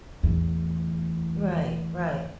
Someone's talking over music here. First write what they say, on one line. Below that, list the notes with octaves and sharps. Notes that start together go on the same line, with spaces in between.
Right, right.
E2 A2